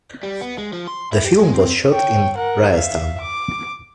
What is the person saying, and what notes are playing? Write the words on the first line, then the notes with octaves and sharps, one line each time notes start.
The film was shot in Rajasthan.
G3
B3
G#3
F3
C6
E4
G4
G#3
C4
C#5 G5
A#4 F#5
E5 F5
D6